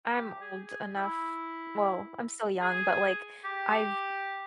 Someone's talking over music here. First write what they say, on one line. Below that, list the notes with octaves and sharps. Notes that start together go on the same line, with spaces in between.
I'm old enough, well, I'm still young, but, like, I've
G4
G#4
G#4
E4
G#4
G4